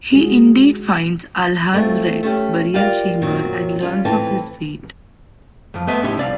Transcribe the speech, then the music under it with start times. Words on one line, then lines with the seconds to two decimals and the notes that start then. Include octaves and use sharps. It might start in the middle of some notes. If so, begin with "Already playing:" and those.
He indeed finds Alhazred's burial chamber and learns of his fate.
0.13 G#3 F#4 G#4
1.73 G3 A3 C4 F4 E5
2.23 A3 C#4 G4
2.74 F4 G4 A#4 D5 F5
3.22 F#2 A#2 D#3 F#3 C4
3.82 G3 C#4 F4
4.05 D#2 A2 E3 C4 A5
5.74 F2 F3
5.87 A3 B3 D#5 E5
6.02 A2 C#4 D#4 G4 E5 C6
6.18 C2 D5 F5